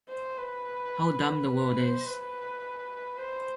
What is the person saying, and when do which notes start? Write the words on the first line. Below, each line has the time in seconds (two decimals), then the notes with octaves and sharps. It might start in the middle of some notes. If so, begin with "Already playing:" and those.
How dumb the world is.
0.09 C5
0.38 B4
1.50 B4
1.78 C5
2.05 B4
3.18 C5